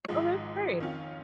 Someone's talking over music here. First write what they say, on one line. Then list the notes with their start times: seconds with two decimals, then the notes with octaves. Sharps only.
Oh, that's great.
0.08 G#1 G#2 F3 G#3
0.79 F2 D#3 C#4 F4